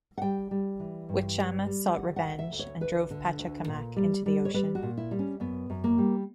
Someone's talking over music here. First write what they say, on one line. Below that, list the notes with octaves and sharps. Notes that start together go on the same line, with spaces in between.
Wichama sought revenge and drove Pacha Kamaq into the ocean.
F#5
G3 G5
G3
E3
G2
G3
G3
D2 F#5
F#5
D2
E5
D2
C#5
D2 B4
D3
D2
A#2
G3
G3
C#5
G3 B4
F#4
A#2
E4
G3
C#4
F#2 B3
F#2
A#3
G3